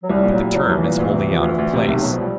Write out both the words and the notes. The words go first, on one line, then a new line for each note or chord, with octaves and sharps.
But the term is wholly out of place.
F#3
C2 G3
A#2
F#3
G3
C2 F#3
C2
E3
A#2
D2
C3
F3
D2
D2
C3 E3
B1 D#3
B2 F#3
F3
G3